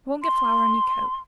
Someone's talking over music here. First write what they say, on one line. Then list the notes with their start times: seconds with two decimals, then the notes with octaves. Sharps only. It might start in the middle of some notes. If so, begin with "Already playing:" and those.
I won't get flour on your coat.
0.22 C6